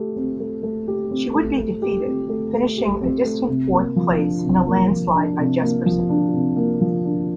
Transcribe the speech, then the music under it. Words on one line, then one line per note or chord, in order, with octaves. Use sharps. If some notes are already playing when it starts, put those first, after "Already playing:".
She would be defeated finishing a distant fourth place in a landslide by Jespersen.
Already playing: A3 G4
C4
A3
A3
G4
C4
A3
A3
G4
C4
A3
A3
G4
C4
A3
C3
A#3
F3
D4
C3
A#3
F3
D4
C3
A#3
F3
D4
C3
A#3
F3
D4